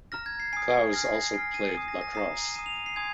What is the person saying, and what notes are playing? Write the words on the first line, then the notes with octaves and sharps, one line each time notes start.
Clause also played lacrosse.
A#5 F6 A#6
G#6
C7
G#5 D#6 C7
G#5 F6 A#6
C7
A#6
G#5 F6 C7
D#7
G#5 D#6
A#6
A#6
A#5 D#6 C7
A#5 D#6 D#7
F7
D#7
C7
G#5 C6 D#6 G#6